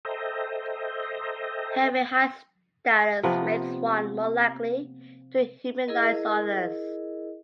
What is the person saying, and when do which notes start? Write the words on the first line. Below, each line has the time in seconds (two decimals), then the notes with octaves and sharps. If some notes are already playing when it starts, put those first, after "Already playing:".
Having high status makes one more likely to dehumanize others.
0.05 A4 C5 D#5 E5 G5 A#5
3.23 C3 F3 A#3 B3
5.88 E4 G#4 A#4 D#5